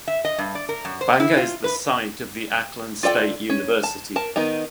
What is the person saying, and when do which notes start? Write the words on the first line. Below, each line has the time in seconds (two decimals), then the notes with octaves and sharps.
Banga is the site of the Aklan State University.
0.08 E5
0.25 D#5
0.38 G2
0.55 D5
0.69 A#4
0.85 F#2
1.01 C5
1.20 E4
1.37 F4
1.64 B4
3.03 F4 A4 D5 G5
3.50 C#4
3.83 A5
4.16 A#4 A5
4.36 D#3 B3 D#4 A#5